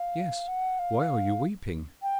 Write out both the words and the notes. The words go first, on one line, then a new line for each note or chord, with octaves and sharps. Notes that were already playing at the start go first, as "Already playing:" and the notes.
'Yes, why are you weeping?'
Already playing: F5
F#5
F5
G5